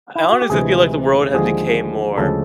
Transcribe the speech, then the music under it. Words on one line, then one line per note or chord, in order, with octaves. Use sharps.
I honestly feel like the world has became more
E4
F4
F#4
G4
D2 C3 E3 G#3 G#4
D#2 D3 F3 G#3 G#4
D2 C#3 F3 G#3 A4